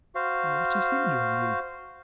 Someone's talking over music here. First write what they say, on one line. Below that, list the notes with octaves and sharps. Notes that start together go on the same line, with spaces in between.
"What is hindering you?"
F#4 C5 F5